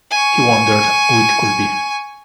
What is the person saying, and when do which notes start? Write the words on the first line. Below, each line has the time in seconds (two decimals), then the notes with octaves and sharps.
He wondered who it could be.
0.11 G#5 C#6